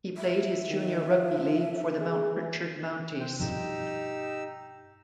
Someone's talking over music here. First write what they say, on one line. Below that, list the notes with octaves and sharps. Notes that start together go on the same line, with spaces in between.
He played his junior rugby league for the Mount Pritchard Mounties.
E5
D#3
F3
F3
G#4
E3
C5 G5
G2 B2 F3 D#4 G4 E6